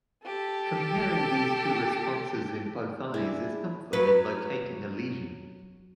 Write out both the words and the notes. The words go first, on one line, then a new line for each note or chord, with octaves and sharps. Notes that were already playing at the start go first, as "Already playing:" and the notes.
Comparing these two responses in both eyes is helpful in locating a lesion.
G4 A4
D4 E4 G#4
F#3 B4